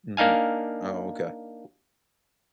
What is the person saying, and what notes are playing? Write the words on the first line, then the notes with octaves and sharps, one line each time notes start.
Mhm. Oh, okay.
A#3 D4 D#4 F5 G#5